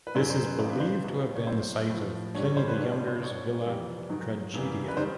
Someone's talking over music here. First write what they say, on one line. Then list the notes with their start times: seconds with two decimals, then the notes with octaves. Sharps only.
This is believed to have been the site of Pliny the Younger's villa "Tragedia".
0.07 B4
0.15 F#2 D#3 F#3 C5
0.30 C5
0.44 B4
0.59 C#2 C#3 E3 C5
0.70 B4
0.80 C5
1.02 C#2 B2 G3
1.35 C#5
1.47 A2 F#3 C5
1.90 A2 F3
2.35 G2 D3 G3 C#5
2.45 C#5
2.57 C5
2.68 B4
2.77 G2 D#3 G3 C#5
2.92 C5
3.08 C5
3.21 C2 B2 G3 C#5
3.66 F2 C3 E3 G3
4.09 G#2 D#3 F#3
4.54 F#2 C#3 E3 G3
4.88 B4
4.97 D#3 G3 C5